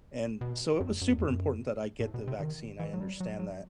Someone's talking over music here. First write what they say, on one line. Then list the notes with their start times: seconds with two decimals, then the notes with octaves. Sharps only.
and so, it was super important that I get the vaccine, I understand that,
0.41 B2
0.80 F#2
1.01 F#2
1.13 E2
1.25 F#2
2.00 A2
2.14 B2
2.28 C3
2.40 D#3
2.79 E3
2.93 F#3
3.01 G3
3.20 F#3
3.39 F#3